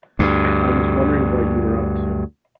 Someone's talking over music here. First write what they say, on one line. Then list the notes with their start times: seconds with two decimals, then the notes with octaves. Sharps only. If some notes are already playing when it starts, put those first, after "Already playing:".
I was wondering what you were up to.
0.19 D2 G2